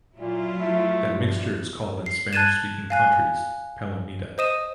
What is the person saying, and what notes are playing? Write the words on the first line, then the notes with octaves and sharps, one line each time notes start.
That mixture is called in Spanish speaking countries "palomita".
A#2 F#3 E4 F4
A3
G2 F3
C7
A5 F#6 G#6 A6 D#7 E7
F5 G#5 F#6
C5 D#5 D#6 D#7 E7